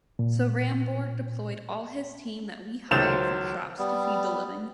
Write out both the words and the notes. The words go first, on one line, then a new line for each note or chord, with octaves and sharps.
So Rambourg deployed all his team that we hired from shops to feed the living.
A#2
C#2 D#3 F#3 C5 G6 A6 E7
G3 B3